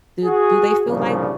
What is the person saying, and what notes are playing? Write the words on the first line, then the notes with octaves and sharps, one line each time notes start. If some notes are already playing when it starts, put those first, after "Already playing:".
do do they feel like
F#4 G#4
C2 G2 A#2 C#3 F3